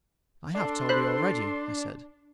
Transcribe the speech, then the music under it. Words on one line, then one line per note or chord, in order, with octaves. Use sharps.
"I have told you already," I said.
D4 A4 C6
C5 B5 F#6